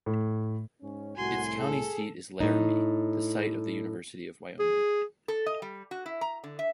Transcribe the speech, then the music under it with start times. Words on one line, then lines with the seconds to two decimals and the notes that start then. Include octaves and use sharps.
Its county seat is Laramie, the site of the University of Wyoming.
0.06 A2
0.81 G#2 C#4
1.16 C2 A2 F#4 G#5 C6
1.58 G#4 A4
2.40 A2 D#4
4.59 G#4
5.28 A4
5.46 D#5
5.62 G3
5.91 F#4
6.06 E4
6.21 A#5
6.44 D3
6.59 E5